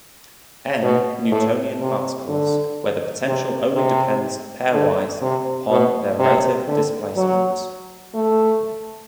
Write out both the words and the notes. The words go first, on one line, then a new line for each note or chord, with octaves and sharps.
"N" Newtonian particles where the potential only depends pairwise upon the relative displacement.
B2
A2
C3
D3
C3
C3
D3
C3
B2
C3
D3
F#3
A3